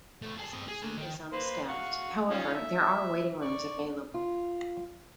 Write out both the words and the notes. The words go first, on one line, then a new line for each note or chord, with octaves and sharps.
The station is unstaffed however there are waiting rooms available.
E2 A3
G#4 A4
C4 D#5
G#4
A3 D4
D#3
A#3 B4 C5
F5 F#5 C#6
C#4 D#4 F4
E5
D5 C#6
F4